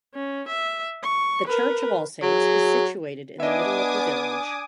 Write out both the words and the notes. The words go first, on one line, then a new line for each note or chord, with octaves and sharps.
The church of All Saints is situated in the middle of the village.
C#4
E5
C#6
A#4 B4
F#3 G#4
B3 D4 D#5 E5 G#5 D6 D#6